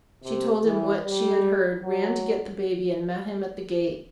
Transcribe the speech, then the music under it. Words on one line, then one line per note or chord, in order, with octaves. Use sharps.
She told him what she had heard, ran to get the baby, and met him at the gate.
C3
E3
G3
F#3